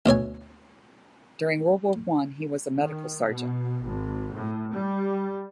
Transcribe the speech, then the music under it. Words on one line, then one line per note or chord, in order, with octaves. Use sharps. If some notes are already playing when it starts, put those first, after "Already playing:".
During World War One he was a medical sergeant.
D2 B2 C#5 G#5
D#3
B2
G#1
A2
G3